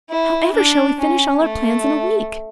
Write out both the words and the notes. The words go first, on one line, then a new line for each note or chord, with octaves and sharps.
However shall we finish all our plans in a week?
E4
D4
C#4
A3